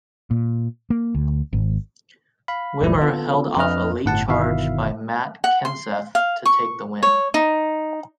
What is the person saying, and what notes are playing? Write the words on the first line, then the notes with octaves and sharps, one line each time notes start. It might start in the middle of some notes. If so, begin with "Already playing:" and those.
Wimmer held off a late charge by Matt Kenseth to take the win.
A#2
A#3
D2
G#1
F5 B5
G1 D2 A#2 G3 E4
B3 F4 A4
F2 D4 B4 D#5 F6
G1 A2 F#5 A5
G1 B2 D#3 E4 E5 F5
F#5
C6
F5
C#6
C#5
D#4